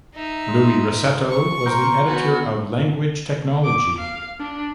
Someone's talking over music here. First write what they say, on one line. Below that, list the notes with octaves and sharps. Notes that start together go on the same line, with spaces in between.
Louis Rossetto was the editor of Language Technology.
D#4 E5
G#3
C#6
A#4 C5 G5
B3 F#4 G#5 B5
D6
F5
D4